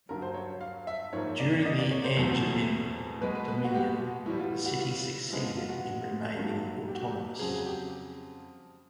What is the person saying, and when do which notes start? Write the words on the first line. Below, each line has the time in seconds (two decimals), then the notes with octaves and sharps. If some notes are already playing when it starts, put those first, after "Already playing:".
During the Angevin dominion the city succeeded in remaining autonomous.
0.09 G2 D3 F#3 A#4
0.22 C5
0.34 C#5
0.61 F5
0.87 E5
1.13 G#2 F3 A#3 C#5
1.40 D5
1.65 D#5
1.78 D5
1.91 C#5
2.04 C5
2.17 E2 B2 F#3 A3 C4
3.21 B2 G#3 B3 B4
3.35 B4
3.48 B4
3.64 F#4
3.74 G4
4.00 F#4
4.26 A2 E3 G3 B3 E4
4.39 F4
4.66 F#4
4.79 F4
5.30 F#2 D3 F3 G#3 B3 E4
5.44 F4
5.57 F4
5.69 F#4
6.36 G2 D#3 F#3 A#3
6.88 G4
6.95 F#4
7.02 G4
7.39 F2 C#3 F#3 G#4
7.54 G#4
7.66 G4